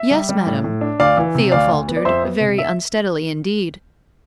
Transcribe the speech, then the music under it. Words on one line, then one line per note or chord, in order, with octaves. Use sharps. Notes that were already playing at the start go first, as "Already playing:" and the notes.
"Yes, madame," Theo faltered, very unsteadily, indeed.
Already playing: E5
G3
G3
A2
A2
D4
D2 D5 F5
E3
C3
D2 D5 F5
D2
B3
D5
F2 C5 E5
B3
C3
E5